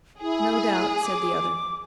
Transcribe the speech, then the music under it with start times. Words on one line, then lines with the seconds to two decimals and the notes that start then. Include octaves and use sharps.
"No doubt," said the other.
0.22 E4 G#4
1.02 D6